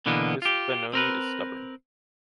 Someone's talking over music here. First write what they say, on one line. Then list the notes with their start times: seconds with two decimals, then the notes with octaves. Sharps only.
This Benoni is stubborn.
0.06 B2 D3 E3 A#3 B3
0.42 F4 G4
0.93 C4 A#4 B4